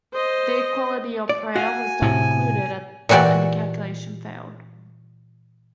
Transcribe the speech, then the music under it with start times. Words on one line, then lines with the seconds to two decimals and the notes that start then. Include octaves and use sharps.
The equality operator was not included and the calculation failed.
0.14 C5 D#5
1.29 D5
1.56 F#4 F5 G#5
2.02 A2 C3
3.09 A#2 E3 F#4 G4 D5